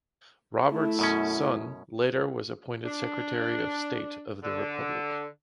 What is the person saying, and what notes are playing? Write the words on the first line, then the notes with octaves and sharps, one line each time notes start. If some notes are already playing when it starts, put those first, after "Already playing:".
Roberts' son later was appointed Secretary of State of the Republic.
A3 E4
F#2 B2 C#4
D4
D3